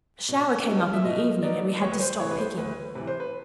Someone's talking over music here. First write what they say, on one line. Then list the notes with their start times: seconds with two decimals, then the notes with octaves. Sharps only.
A shower came up in the evening and we had to stop picking.
0.29 B2
0.67 F#3 B3 D#4
0.93 E5
1.05 B2 D#5
1.43 F#3 B3 D#4 D5
1.81 D2 C#5
1.92 B4
2.00 C5
2.19 C3 E3 C#5
2.31 B4
2.38 C5
2.58 D2 B4
2.95 C3 E3 B4
3.07 C5
3.20 B4